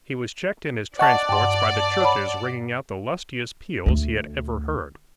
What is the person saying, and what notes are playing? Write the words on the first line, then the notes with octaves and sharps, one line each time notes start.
He was checked in his transports by the churches ringing out the lustiest peals he had ever heard.
D5 D#5 F#5 A5 C#6
G2 C6
C#5 B5
D2 A3